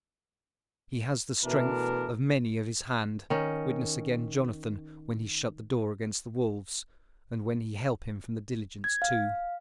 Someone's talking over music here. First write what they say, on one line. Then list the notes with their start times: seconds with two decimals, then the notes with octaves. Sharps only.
He has the strength of many of his hand--witness again Jonathan when he shut the door against the wolfs, and when he help him from the diligence too.
1.45 B2 E3 A3 D4 A#4
3.30 D#3 C#4
8.84 G#6
9.02 F5